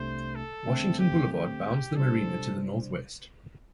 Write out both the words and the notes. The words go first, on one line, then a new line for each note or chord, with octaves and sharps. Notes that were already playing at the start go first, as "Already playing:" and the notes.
Washington Boulevard bounds the Marina to the northwest.
Already playing: C2 C3 A3 D4 C5
A4
D3 A3 C4
G4
G4
C3 G3 D4 A4 C5